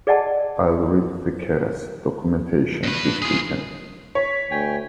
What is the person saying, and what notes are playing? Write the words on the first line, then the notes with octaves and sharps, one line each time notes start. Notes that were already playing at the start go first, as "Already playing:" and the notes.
I'll read the Keras documentation this weekend.
G#4 D5 D#5 F#5 G#5 A5
G2 B4
F4 G#4
C#5 B6
D2 G5 G#5 B6